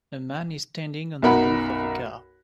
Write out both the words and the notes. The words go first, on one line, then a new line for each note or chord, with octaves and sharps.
A man is standing on the roof of a car.
B1 F#2 D#4 A#4 F#5 B5